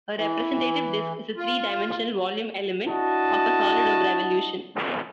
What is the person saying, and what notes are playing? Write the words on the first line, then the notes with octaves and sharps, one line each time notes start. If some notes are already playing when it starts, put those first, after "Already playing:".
A representative disk is a three-dimensional volume element of a solid of revolution.
E3
F4
D4 E4 F#4 D#5 A5